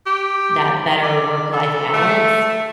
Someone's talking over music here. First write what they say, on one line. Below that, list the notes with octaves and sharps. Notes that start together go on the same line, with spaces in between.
that better work-life balance.
G4
D5
A4
A3